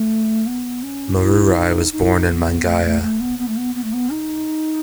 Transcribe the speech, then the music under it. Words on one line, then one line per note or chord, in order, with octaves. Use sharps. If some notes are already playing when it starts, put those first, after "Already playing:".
Marurai was born in Mangaia.
Already playing: A3
B3
C#4
E4
D#4
D#4
E4
D#4
B3
A3
A3
A3
B3
B3
A3
B3
B3
A3
B3
D#4